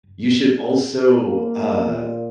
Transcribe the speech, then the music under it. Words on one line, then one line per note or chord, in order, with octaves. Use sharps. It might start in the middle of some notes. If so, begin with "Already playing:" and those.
You should also, uh,
A#3
A#2